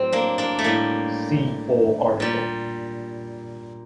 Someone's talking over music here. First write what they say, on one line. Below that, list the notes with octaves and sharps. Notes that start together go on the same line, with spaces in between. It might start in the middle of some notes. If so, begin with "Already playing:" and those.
See full article.
Already playing: A2 F#3 C4
A#3 D4
A#3 D4
A3
A2 G3 A#3
A#2 G3